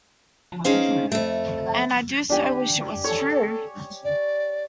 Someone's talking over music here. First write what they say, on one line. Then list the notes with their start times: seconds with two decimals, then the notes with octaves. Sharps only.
And I do so wish it was true!
0.64 C#4 D#4 G#4 C5 F5 G5
1.12 F2 A3
2.30 D4 G4 G#5
3.04 A4 C#5
4.04 D5